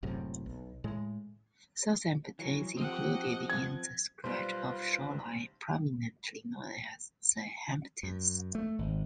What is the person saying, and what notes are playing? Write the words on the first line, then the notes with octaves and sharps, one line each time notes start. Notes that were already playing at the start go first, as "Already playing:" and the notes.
Southampton is included in the stretch of shoreline prominently known as The Hamptons.
F#1 F#2 A2 C3
B1
A2 G#3
E3 F#3
F3 C4 G4 D#5 F#5
G#6
B1 G3 F4 B4 C5
F#2
A3
G#1